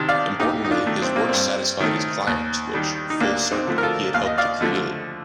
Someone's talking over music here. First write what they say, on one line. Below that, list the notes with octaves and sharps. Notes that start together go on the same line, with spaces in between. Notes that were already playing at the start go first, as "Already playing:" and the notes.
Importantly, his works satisfied his clients, which, full-circle, he had helped to create.
Already playing: C3 D#3 A5
D5 F5
D#2 D#4 G4
D#4
D4 F4
D#3 A3
C4
A#3
G2 C4
D#3 A3
D#2
D#3 G3
D#4
D2 A#3 D4
C4 D#4
D3 F3 A3
A#4
F4 A4
D#2 F5
D#5
D5 F5
D3 F3 A3